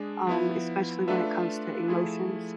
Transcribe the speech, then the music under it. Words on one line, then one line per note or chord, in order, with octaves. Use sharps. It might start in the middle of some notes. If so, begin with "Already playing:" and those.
um, especially when it comes to emotions.
Already playing: G#3 D4 G#4
F3 B3 E4
A3 D4 F4 B4 E5
F3 A3 E4 G#4